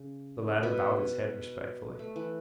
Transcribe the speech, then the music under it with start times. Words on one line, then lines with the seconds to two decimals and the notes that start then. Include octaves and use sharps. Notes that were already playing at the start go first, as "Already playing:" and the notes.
The latter bowed his head respectfully.
Already playing: C#3
0.63 B2 B3
1.99 A3
2.16 E3